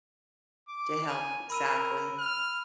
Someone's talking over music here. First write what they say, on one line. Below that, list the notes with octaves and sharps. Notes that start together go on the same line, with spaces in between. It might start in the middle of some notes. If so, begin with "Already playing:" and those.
to help Exactly.
D6
G#5
A#4 B5 E6 D#7
F6